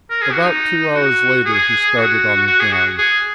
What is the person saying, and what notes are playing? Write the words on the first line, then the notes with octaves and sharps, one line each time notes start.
About two hours later he started on his round.
A#4
G#4
F#4
D#4
F#4
G#4
F#4
F#4
G#4
F#4
G#4